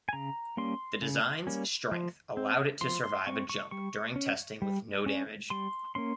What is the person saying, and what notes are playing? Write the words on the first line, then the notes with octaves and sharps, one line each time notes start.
The design's strength allowed it to survive a jump during testing with no damage.
G#5
C#3 A#5
G3 A#3 C#4 C6
C#3
G3 A#3 C#4
F3
C4
F3 C6
C6
C4 C#6
C#6
G3 C#6
C#4
G3
C#4
G3 C6
A#3 C#4 C6